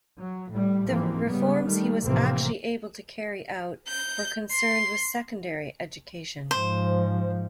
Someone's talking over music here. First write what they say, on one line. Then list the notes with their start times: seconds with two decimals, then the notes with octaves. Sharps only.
The reforms he was actually able to carry out were concerned with secondary education.
0.20 F#3
0.50 A2 G3
0.89 G#2 E3 F3 A#3 C4
1.27 C#3 G3 B3
1.64 D#3 G3 A3
2.04 F1 A2 C3 E3 A#3 C4
3.88 G6
4.51 C6
6.51 G#2 F3 C5